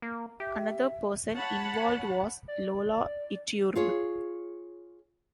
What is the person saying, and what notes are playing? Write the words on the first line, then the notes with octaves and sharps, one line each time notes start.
Another person involved was Lola Iturbe.
A#3
G4 E5
C#5 F#5 A5 B5
D5
F4 G#4 C#5